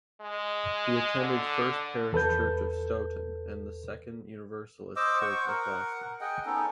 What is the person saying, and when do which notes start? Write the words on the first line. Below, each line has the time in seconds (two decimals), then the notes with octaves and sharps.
He attended First Parish Church of Stoughton and the Second Universalist Church of Boston.
0.21 G#3
1.20 D3
2.13 E2 A4 B4 G6
4.96 C5 D#5 D6 E6
5.21 C5 F#5 C#6
5.47 A#4 F#5
6.21 G#4 D#5 F#5 G5
6.46 B3 C#4 D#4 A4